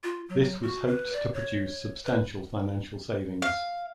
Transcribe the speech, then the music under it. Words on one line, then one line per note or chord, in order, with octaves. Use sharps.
This was hoped to produce substantial financial savings.
F4
F#3
F#4
B4
D5
C#5
B4
F5